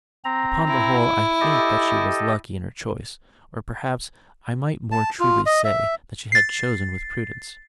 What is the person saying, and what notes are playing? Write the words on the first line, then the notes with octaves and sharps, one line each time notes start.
Upon the whole I think that she was lucky in her choice; or, perhaps, I might more truly say, that she had chosen with prudence.
C4 A#5
E4
G4 A4 D#5
A5
F4
D#5
E5
A6 C7